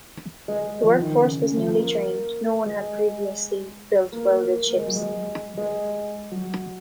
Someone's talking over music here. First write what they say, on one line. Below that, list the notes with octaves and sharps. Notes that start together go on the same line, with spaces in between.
The work force was newly trained - no one had previously built welded ships.
G#3
F3
D#3
C#3
C#3
F3
A#3
G#3
A#3
A#3
A#3
A#3
G#3
F#3
G#3
G#3
F#3